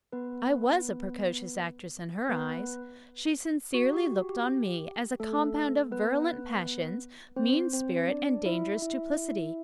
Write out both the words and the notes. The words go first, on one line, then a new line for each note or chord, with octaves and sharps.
I was a precocious actress in her eyes; she sincerely looked on me as a compound of virulent passions, mean spirit, and dangerous duplicity.
B3 B4
B3 B4
F#4
G4
F#4
G4
A3 A4
B3 B4
C4 C5
C4 C5
D4 D5
E4 E5
E4 E5